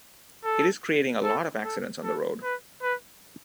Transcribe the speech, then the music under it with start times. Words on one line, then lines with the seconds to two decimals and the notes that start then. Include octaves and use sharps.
It is creating a lot of accidents on the road.
0.44 A4
1.24 A4
1.64 A4
2.03 A4
2.43 B4
2.82 B4